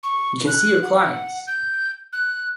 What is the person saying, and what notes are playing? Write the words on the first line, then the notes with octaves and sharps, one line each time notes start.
You can see your clients.
C#6
F#6
F#5
G6
F#6